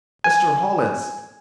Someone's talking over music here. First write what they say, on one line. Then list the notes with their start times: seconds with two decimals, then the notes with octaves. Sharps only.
"Mr. Hollins!"
0.24 G#5